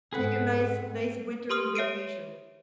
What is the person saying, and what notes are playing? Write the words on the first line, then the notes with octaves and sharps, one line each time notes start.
Take a nice nice wintery vacation.
G#2 C4 G#4 A4 B4 F#5
G4 B4 C6 D#6 F6
C#5 E5 C7 D7 D#7